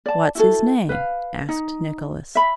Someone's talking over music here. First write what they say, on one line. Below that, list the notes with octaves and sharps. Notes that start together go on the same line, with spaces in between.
"What's his name?" asked Nicolas.
D5 A5
E4 F#4 A4
B4 F5
D#4
E5 B5